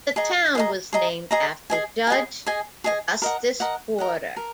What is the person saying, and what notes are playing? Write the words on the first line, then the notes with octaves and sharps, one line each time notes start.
The town was named after Judge Augustus Porter.
G#4 D#5 A#5
G#4 D#5 A#5
G#4 D#5 A#5
G#4 D#5 A#5
G#4 D#5 G#5
G#4 D#5 G#5
G#4 D#5 G#5
G#4 D#5 G#5
A#4 D#5 F#5
A#4 D#5 F#5
A#4 D#5 F#5
A#4